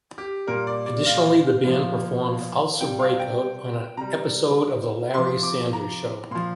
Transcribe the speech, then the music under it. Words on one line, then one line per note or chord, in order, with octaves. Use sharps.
Additionally, the band performed "Ulcer Breakout" on an episode of "The Larry Sanders Show".
G4
A#2 G3 A#4
D5
D5
F5
A#2 F3
C3 G3 G5
F5
G5
C3 G3 A#5
C3 F3 C6
D6
A#5
A#2 F3 C6